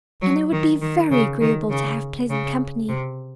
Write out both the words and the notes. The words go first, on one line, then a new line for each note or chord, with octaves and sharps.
And it would be very agreeable to have pleasant company.
F#3
D#3
D#3
C#3
D#3
C#3
C#3
C3